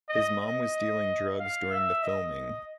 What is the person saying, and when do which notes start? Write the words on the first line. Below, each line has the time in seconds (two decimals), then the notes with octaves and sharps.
His mom was dealing drugs during the filming.
0.09 D#5
0.41 D#5
1.39 F5
1.71 E5
2.03 D#5